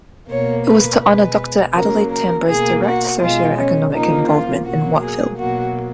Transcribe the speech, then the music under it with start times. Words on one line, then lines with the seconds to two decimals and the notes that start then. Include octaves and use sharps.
It was to honour Doctor Adelaide Tambo's direct socio-economic involvement in Wattville.
0.29 B2 A#3 C#5
0.65 B4
1.02 B2 G#3 B4
1.74 C#3 F#3 A#3 A#4
2.10 A#4
2.47 B2 A#3 G#4
2.84 F#4
3.20 B2 G#3 F4
3.56 C#4
3.93 C#3 F3 A#3 D#4
4.29 F4
4.65 B2 F#3 A#3 F#4
5.01 G#4
5.38 B2 F#3 A#3 F#4